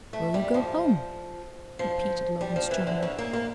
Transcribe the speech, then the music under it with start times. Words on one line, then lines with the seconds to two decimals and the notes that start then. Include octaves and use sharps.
"Will you go home?" repeated Logan sternly.
0.13 A3
0.34 G3
0.54 F3
1.79 F3
2.41 G3
2.56 F3
2.71 E3
2.87 D3
3.02 C#3
3.18 A#3
3.33 A#3